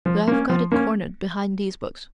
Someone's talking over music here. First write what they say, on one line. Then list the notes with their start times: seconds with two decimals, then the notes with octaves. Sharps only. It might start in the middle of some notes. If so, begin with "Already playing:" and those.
But I've got it cornered behind these books.
0.06 F3
0.28 A#3 C#4
0.49 F3
0.72 A#3 C#4